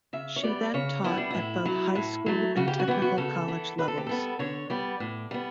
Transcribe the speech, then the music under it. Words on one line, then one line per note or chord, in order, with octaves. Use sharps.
She then taught at both high school and technical college levels.
C#3 E5
C#5
G3 B3 D5
C#3 C#5
G3 B3 E4
D4
A2 E4
F#3 A3
A2
F#3 A3
C#3 F#4
G4
F#4
E3 B3 G4
F#4
C#3 A4
E3 B3
D3 B4
A4
G4
G3 B3 A4
D3 C#5
G3 B3 D5
A2
G3 B3